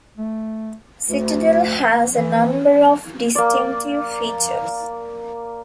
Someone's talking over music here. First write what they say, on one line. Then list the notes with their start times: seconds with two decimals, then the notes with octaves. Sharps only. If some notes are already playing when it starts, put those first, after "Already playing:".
"Citadel" has a number of distinctive features.
0.18 A3
1.08 D2
2.17 E3
3.35 A#3 D5